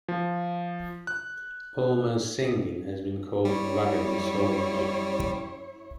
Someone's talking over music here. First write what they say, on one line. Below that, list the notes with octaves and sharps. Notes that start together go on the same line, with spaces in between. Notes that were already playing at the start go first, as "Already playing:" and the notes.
Ulmer's singing has been called "raggedly soulful".
F3
F#6
F#2 G3 E4 C#5